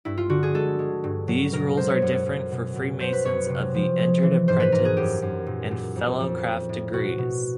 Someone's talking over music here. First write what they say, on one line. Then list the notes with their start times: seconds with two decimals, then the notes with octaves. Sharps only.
These rules are different for Freemasons of the Entered Apprentice and Fellowcraft Degrees.
0.05 G2 E4
0.17 F4
0.29 D3 F#4
0.43 G#4
0.54 G#3 A4
0.79 G#3
1.04 G2
1.28 F#3
1.52 B2 A#4
1.77 G#3 C5
1.90 C#5
2.02 F#2
2.26 F#2
2.51 B2
2.76 B2
3.00 F#3 C5
3.13 B4
3.25 F#2 C#5
3.49 C3
3.74 F3
3.99 G#3
4.23 E3
4.48 G#2 C5
4.60 B4
4.72 G#2 A#4
4.85 G#4
4.97 F#2 G4
5.22 F#2
5.46 A#2
5.71 A#2
5.96 F2
6.20 F2
6.45 G3
6.69 A2
6.93 B2 F#4
7.18 B2